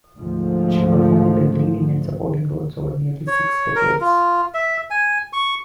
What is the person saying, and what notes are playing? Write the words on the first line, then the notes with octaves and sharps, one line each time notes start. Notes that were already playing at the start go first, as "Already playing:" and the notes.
She performed in leading and supporting roles over nearly six decades.
D2 G#2 F3
C#5
A#4
F4
E5
G#5
C#6